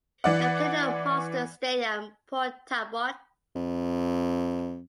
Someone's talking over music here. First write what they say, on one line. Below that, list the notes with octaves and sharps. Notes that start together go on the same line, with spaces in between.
They play at the Marston Stadium, Port Talbot.
E3 D5 F#5
F2